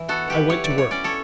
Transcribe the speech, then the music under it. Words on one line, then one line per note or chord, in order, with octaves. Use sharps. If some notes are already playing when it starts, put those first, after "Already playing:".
I went to work.
Already playing: E3 E4
B3 F#4 A4
E3 G4 B4
E4 C#5
D5
F#3
C#5
C#4 D5
A4 C#5